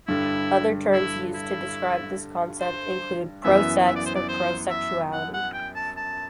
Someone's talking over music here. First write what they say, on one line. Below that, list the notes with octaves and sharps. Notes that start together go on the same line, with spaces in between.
Other terms used to describe this concept include "pro-sex", or "pro-sexuality".
G2 D3 G3 E4
E4
E4
C5
F#2 E3 B3 E5
E5
D5
C5
D5
C5
E5
F#5
F#5
G5
A5
A5